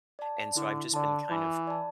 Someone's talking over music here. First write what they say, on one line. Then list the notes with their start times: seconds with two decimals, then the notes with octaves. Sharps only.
and so, I've just been kind of
0.19 D5 A5
0.56 D3 E4
0.93 D3 D5 A5
1.30 E3 E4
1.67 D5 A5